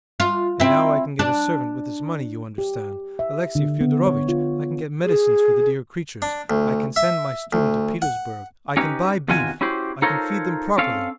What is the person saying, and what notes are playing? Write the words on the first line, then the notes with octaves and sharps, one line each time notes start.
And now I can get a servant with this money, you understand, Alexey Fyodorovitch, I can get medicines for the dear creatures, I can send my student to Petersburg, I can buy beef, I can feed them properly.
F4
C4 E4
D4
G4
E5
D3
B3
C#5
F4
G#4
D4
D2
E5
D2
F#5
C#4 D#4 G4 B4
E2 C3 D#3 F4 F#4 G#5
C#4 E4 F#4 G4 C5
D#4 F4 A4 A#4 C5 C#5
C4 C#4 A4 F5